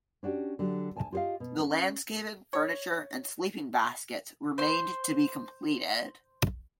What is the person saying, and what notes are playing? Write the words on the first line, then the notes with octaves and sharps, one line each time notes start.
The landscaping, furniture and sleeping baskets remained to be completed.
C#4 D4 F#4 G4
D3 F#3 G4
D2 G#5 A5
F4 G4 C5 D#5 F5
B2
C#4
C#5
C5 C6